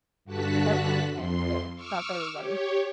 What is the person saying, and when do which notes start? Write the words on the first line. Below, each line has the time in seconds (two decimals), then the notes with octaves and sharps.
Okay, fair, fair. It's not for everybody.
0.25 G2 D3 F#4 A5 F#6 B6
1.13 F2 C6
1.74 C#6 D6 E6 F6
2.33 G4 C#5